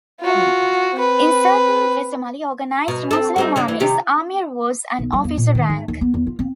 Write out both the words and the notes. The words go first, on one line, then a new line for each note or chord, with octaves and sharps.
In certain decimally-organized Muslim armies, Amir was an officer rank.
F4 F#4
C4 B4
B2
C4 A4
G3 C4 D#4
C#3 A#3 D4
E3
C3 D#3 G4
B1
G3
E2
A#2
D#3
G#2
D#2
B3
E2
F4
C4